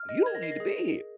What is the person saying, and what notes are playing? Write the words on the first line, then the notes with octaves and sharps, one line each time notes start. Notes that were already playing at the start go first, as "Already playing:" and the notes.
you don't need to be here.
Already playing: F6
D#5
A#4 G#6
A#6
D#5 C7
A#6
G#4